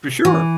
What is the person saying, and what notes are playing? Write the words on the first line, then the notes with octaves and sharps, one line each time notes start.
For sure!
E3